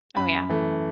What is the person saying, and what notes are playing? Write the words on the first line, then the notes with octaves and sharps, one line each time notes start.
Oh, yeah.
F#2 B5
E3 A3